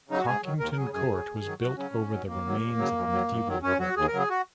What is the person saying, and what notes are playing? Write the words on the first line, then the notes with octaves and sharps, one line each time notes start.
Cockington Court was built over the remains of a medieval court.
C#3 F#3 D#4
F#4
G#2 G#4
D#3 F#3
D#2 A#4
A#4
C#3 F#3 G#4
F#2 G#4
C#3 F#3
D#2
D#3 F#3
F#2 F#4
C#3 F#3 C#4
G#2
D#3 F#3
D#2 A#3
D#3 F#3
D#2
C#3 F#3
F#2
F#3
F#2
D#3 F#3
F#2 C#4
F#3 F#4
D#2 G#4
A#4
C#3 F#3
G#4
F#4